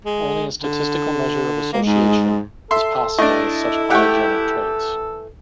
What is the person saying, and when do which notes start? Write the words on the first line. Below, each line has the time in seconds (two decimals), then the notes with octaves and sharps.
Only a statistical measure of association is possible with such polygenic traits.
0.05 G#3
0.61 D3
1.73 G#3 A#3
1.86 G#2
2.71 A4 E5 C6
3.18 A3 D4 E4 D#5
3.90 E3 A3 G4 F#5 G5